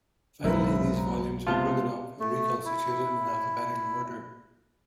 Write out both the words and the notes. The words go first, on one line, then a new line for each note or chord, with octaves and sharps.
Finally, these volumes were broken up and re-constituted in alphabetical order.
F#1 B1 F#3 G#3 C4 E4 A#4 B4
A#5
C#2 C3 B3 F4 A5 F6 G7
A3
E4